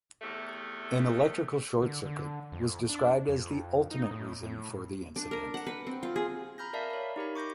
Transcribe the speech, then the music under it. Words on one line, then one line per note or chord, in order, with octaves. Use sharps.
An electrical short circuit was described as the ultimate reason for the incident.
E2 C3 A3
D3
D3
F2
D4
F2
D#4
A2
A2
D4
A#4
F#5
B4
C4
F4
G#4
A#5 B5 F6 G6 A#6
A#4 D5 E5 F5 A5
C#5 B5
D#4 G4 A#4 B5
C#6 D6 G6 A#6